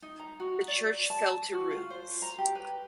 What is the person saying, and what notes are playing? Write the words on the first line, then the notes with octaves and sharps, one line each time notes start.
The church fell to ruins.
D#4
A#5
F#4
D5
A5
F#4
F4
C5
A#5
G4
B4